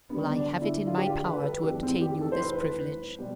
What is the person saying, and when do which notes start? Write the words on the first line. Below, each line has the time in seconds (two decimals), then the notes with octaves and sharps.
Well, I have it in my power to obtain you this privilege.
0.10 D2 D3 G3 B3
0.36 D4
0.62 E4
0.87 F4
0.97 G4
1.06 F4
1.25 B4
1.38 A4
1.45 B4
1.63 F1 F2 E3 G3 G4
1.83 C4
2.01 G4
2.21 A4
2.32 C5
2.41 B4
3.18 B2 G3